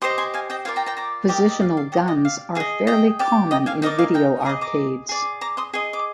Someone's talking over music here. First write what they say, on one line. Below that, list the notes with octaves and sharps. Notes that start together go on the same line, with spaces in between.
Positional guns are fairly common in video arcades.
G4 C5 D#5 C6 D#6
G#5 C6
F5 G#5
D#5 G5
F4 A#4 D5 F5 G#5
G5 A#5
G5 A#5
A#5 D6
G4 A#4 D5 D#5 G5
D#5
F5
F5
G4 D#5
D5
D#5
F5
G#4 D#5 F5
D#5 G5
G4 D5
D#5 G5
F5 G#5
D#4 A#4 D5 D#5 G5
F5 G#5
G5 A#5
G#4 D#5 A#5 D6
A#5 D6
G#4 D5
A#5 D6
C6 D#6
G#4 D#5
D6